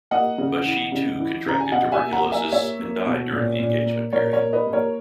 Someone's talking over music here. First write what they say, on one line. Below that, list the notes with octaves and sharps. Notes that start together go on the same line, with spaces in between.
But she, too, contracted tuberculosis, and died during the engagement period.
A#3 D#5 F#5
C#3
E3
C#3
E3
C#3 A#5
G#5
B2 D#5 F#5
E5 G#5
A#3
F#5 A#5
A#3
E5 G#5
A#3 C#5 E5
A#3
B2
A#2
A#2
A#3
A#2 A#4 C#5
A#4 C#5
A#3
B4 D#5
A#3
A#4 C#5